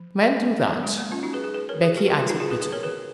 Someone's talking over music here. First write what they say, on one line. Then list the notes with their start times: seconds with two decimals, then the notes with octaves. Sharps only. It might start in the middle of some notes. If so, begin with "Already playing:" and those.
"Men do that," Becky answered bitterly.
Already playing: F3
0.70 F#3
0.84 G#3
0.98 A#3
1.12 C#4 F4
1.23 D#4 F#4
1.33 G#4 B4
1.44 G#4 B4
1.54 G#4 B4
1.69 A#4 C#5
1.83 G#4 B4
1.97 F#4 A#4
2.08 F#4 A#4
2.19 F4 G#4
2.29 D#4 F#4
2.40 F4 G#4
2.51 G#4 B4
2.61 G#4 B4
2.72 A#4 C#5
2.83 G#4 B4